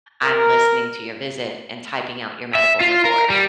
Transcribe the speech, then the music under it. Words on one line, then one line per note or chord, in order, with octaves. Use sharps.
I'm listening to your visit and typing out your medical report.
A#4
E5
F4
A#4
G3